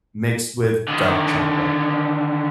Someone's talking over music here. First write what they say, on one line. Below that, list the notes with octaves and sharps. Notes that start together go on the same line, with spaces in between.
mixed with dark chocolate.
D3 D#3